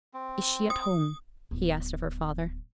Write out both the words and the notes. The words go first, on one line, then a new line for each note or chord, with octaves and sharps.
Is she at home?' he asked of her father.
C4
D#6
D1 B3